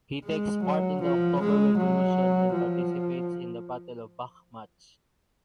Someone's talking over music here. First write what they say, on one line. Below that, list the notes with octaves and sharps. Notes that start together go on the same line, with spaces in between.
He takes part in the October Revolution and participates in the Battle of Bakhmatch.
G#3
F#3
F3
G#3
F#3
F3